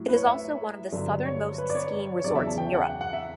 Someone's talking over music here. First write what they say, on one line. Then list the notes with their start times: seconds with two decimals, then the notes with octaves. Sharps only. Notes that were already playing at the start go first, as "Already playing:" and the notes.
It is also one of the southernmost skiing resorts in Europe.
Already playing: A2 F#3
0.08 B4
0.15 C#5
0.26 E5
0.92 G2 D3 F#3
1.25 C#5
1.58 B4
1.70 D5
1.75 C#5
2.19 C#5
2.24 E2 C#3 F#3 D5
2.35 E5
2.47 A5
2.58 G5
2.74 F#5
2.90 F#5
3.01 F#5
3.13 E5